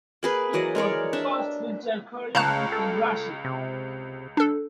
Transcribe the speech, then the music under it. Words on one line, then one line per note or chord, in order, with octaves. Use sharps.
It was the first wheelchair curling team in Russia.
A#3 G#4 B4
E3 F#3 D5 D#5
G#3 A#4 C#5 D5
D4 E5
C#2 C#3 F5 A5 A#5 C#6 F#6
A4
C3
D4 A4